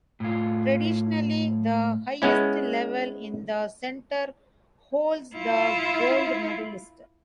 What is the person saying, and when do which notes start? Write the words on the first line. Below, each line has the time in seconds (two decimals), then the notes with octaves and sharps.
Traditionally, the highest level in the center holds the gold medalist.
0.20 A2 F4
2.22 G#3 B3 C#4 E4
5.36 E4 F4